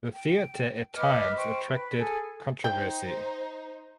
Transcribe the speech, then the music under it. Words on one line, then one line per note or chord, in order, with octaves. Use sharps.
The theater at times attracted controversy.
G5
B4 D#5 D6 F6
C5 G5 C#6
B4
G#4 A4 G#5
D#4 C5 G5